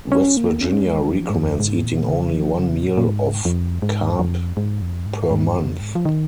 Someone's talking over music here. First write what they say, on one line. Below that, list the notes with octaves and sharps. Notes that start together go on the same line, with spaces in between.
West Virginia recommends eating only one meal of carp per month.
C#4
A#3
C#4
G#3
F3
G#2
F2
G#2
A#2
C#3
F3
C#3
A#2
A#2
G#2
F2
G#2
F2
G#2
F2
G#2
G#2
F2
G#2
F3
D#3